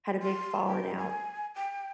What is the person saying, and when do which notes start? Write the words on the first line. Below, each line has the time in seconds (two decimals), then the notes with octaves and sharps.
had a big falling out.
0.23 C6
0.67 G5
0.98 G#5
1.56 G5